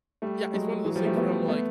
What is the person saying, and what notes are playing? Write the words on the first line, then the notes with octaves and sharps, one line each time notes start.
Yeah, it's one of those things where I'm like,
G3 A3
F#3 G#3
E3 F#3
F3 G3
G3 A3
A3 B3
A3 B3